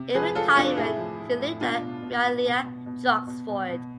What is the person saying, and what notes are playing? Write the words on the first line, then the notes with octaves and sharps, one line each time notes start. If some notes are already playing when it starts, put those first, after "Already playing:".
In retirement he lived at Meon Lea, Droxford.
Already playing: C3
F3 G#4 B4
F3 F4 A4
C3 D4 F4
A2 E4 G#4
F3
A2
A2
B2 D4 F4
B2
B2
B2
B2
B2
B2
B2
B2
B2
B2